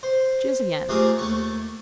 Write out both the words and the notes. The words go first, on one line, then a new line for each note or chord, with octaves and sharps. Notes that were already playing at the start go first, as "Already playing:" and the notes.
Choose again.'
C5
F2 A3 C4 G4 G#4 A#4
D#2 A3 C#6